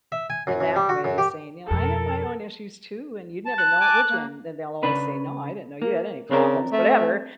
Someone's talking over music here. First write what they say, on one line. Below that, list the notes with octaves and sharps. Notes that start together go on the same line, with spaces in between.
in that way, saying, "You know, I have my own issues, too, and you'd never know it, would ya?" And and they'll always say, "No, I didn't know you had any problems, whatever."
E5
G#5
F#2
F#2
G3
F#4
F#2
G4
F2 B2 A4 A#4
A5
F#6
G#5 A5 D6
A#3
C#3 D4 B4
A#3
C#3 C4 D4 A#4
A3